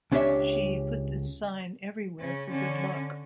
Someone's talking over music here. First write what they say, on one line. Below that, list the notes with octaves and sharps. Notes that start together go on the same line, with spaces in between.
She put this sign everywhere for good luck.
C#2 C#4 D4 G4 C#5 E5
C#3 C#4
D3 C#4